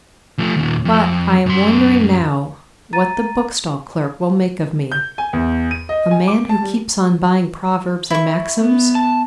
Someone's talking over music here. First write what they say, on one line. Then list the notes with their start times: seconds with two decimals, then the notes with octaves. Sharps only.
But I am wondering now what the bookstall clerk will make of me. A man who keeps on buying Proverbs and Maxims.
0.39 F3 A3
0.56 D#2 A#2
0.85 F2
1.46 F#2 C6
2.93 A#5 A6 D#7
4.92 G6
5.18 G#5
5.33 E2
5.71 D#7
5.89 D#5
6.11 G#5
6.28 D6
6.49 A5
6.62 G3
8.10 E4 C#6
8.59 B3
8.95 A5